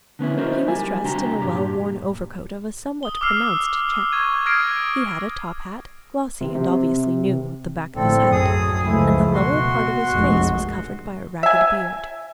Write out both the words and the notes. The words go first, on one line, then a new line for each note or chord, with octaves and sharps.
He was dressed in a well-worn overcoat of a somewhat pronounced check, he had a top-hat, glossy and obviously new, at the back of his head, and the lower part of his face was covered by a ragged beard.
D3 B3 C#4 E4
D#4 E4 F#4 A#4 C5
G3 G#5
C2 D4 F#4 G4 A5 A#5
G2 A#2 G4
D#6 G7
D6 E6 F6 C7 F7
C#6 G#6 D#7
D#6 F6 G#6 A#6 C7 D7
C3
C3
A#1 A2 D3 C4 A4
F#2 G#4 D#6
C#2 F3 A3 E4
B2 F#4 C6
F1 A#1 G#3
E5 G#5